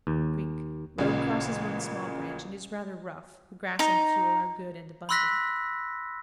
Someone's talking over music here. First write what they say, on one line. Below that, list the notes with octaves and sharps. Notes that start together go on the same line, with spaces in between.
Creek.--Road crosses one small branch, and is rather rough. The grass and fuel are good and abundant.
D#2
A1 A#2 C#3
D#4 A#5
B5 C6 E6 F#6 A#6 B6